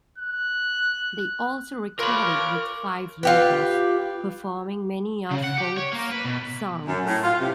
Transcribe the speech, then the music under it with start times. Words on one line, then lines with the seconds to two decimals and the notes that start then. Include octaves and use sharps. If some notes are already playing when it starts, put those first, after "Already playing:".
They also recorded with five labels, performing many of Fouts' songs.
0.19 F#6
1.99 F4 A#4 B4 C#5 B5 D6
3.23 F4 G4 B4
5.31 C#3
5.44 F#5
5.58 G4
5.78 C#5
5.93 A#3
6.12 B4
6.25 B2
6.86 F#2
7.05 A2
7.23 F4
7.40 C3